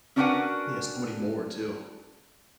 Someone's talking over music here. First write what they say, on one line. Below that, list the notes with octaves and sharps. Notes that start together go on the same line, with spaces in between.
Yes, so many more too.
C#4 D4 F#4 A#4 B4 F#5